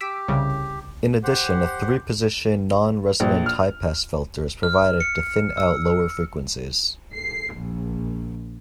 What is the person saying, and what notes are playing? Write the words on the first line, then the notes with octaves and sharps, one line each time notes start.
In addition, a three-position non-resonant highpass filter is provided to thin out lower frequencies.
G4 E6 B6 D7
C2 C#3 G3
G4 C5 F#5
A#1
F6
F6
C#7
E6
C7
A#1